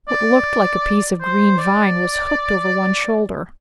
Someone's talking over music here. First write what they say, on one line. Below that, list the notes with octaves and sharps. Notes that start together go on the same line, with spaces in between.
What looked like a piece of green vine was hooked over one shoulder.
D5
C5
D5